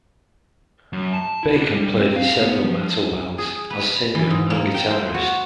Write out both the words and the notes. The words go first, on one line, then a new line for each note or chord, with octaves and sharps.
Bacon played in several metal bands, as singer and guitarist.
F#2
A5
E4
D4
G3
C4
F5
B3
F3
G#4
B4
E3
G#2
A#3
G5
C5
F#4